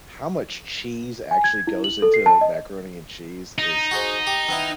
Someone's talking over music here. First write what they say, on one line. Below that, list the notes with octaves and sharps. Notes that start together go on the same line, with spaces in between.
how much cheese actually goes into macaroni and cheese is
G#5
G#6
E4
F#7
A4
C7
A5
D#5
D#4
F#4 G#4 C5
G4
D#3 B3 E4